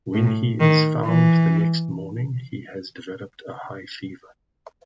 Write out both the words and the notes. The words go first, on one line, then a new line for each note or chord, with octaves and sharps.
When he is found the next morning, he has developed a high fever.
A2
D#3
E3